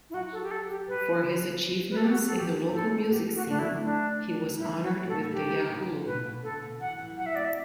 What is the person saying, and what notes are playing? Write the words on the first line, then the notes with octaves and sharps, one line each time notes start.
For his achievements in the local music scene, he was honoured with the Yahoo!
E4
F#3 F#4
A4
G4
A4
G4
G3 B4
B4
A4
G4
F#4
A4
B3 G4
C4 A4
B3 G4
F#4
A3 D4
E4
D4
G3 E4
F#4
B3 A4
A3
G3
F#3 G4
D3
B2 B4
B2
D3 A4
B2
E3 F#5
E3
G3
F#3 F#5
E5
C4 D5
E5